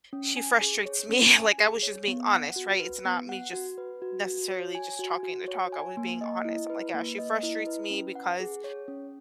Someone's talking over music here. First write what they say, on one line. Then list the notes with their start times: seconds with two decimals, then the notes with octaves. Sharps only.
she frustrates me" Like I was just being honest, right? It's not me just necessarily just talking to talk, I was being honest. I'm like: "Yeah, she frustrates me because
0.13 C#4
0.36 G#5
0.61 G#4
0.86 C#5
1.09 C#4
1.34 G#5
1.59 G#4
1.83 C#5
2.08 B3
2.31 F#5
2.56 F#4
2.80 B4
3.05 B3
3.29 F#5
3.53 F#4
3.78 B4
4.02 F#4
4.26 F#4
4.51 C#5
4.75 G#5
4.99 F#4
5.23 F#4
5.48 C#5
5.72 G#5
5.97 A#3
6.21 D#5
6.45 E4
6.70 B4
6.94 A#3
7.18 D#5
7.43 E4
7.67 B4
7.91 C#4
8.15 F#5
8.40 G#4
8.64 C#5
8.88 C#4